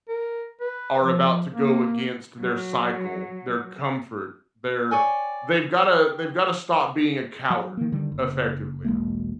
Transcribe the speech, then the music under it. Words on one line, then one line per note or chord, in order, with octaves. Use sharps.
are about to go against their cycle, their comfort, their they've gotta they've gotta stop being a coward, effectively.
A#4
B4
F3
A#3
F#3
C#5 D5 G5 G#5
G4 D#6
F#3
D#3 A#3
D3 D#3 G3
F#1
E1 B1 G#3 A#3